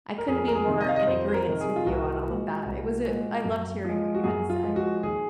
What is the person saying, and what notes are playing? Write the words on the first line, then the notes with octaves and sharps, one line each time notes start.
I couldn't be more in agreeance with you on all of that, it was a I loved hearing what you had to say.
A#4
F2 G#4
A#4
G#4
C3 D#3
D#5
F5
D#5
F2 C5
C5
A#4
C3 D#3
G#4
F4
C2 F#4
A#2 G#3
C2
A#2 G#3
F#2
F3 G#3
F#4
F#2 G#4
F4
F3 G#3
F#4
D#2 G#4